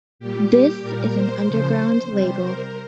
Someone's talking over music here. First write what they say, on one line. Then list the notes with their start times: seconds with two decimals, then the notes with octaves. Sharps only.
This is an underground label.
0.19 A#2 G3 G4
0.82 A#2 G3 A#4
1.14 C5
1.46 C#3 F3
2.08 C3 G3 C5
2.40 A#4